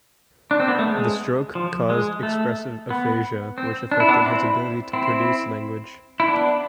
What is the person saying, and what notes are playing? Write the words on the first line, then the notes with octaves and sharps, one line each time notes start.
The stroke caused expressive aphasia, which affected his ability to produce language.
D4
C4
B3
A3
G#3
F3
G#3
A3
B3
C4
D4
E4
B3 D4
C4 E4
C4 E4
E4
B3 D4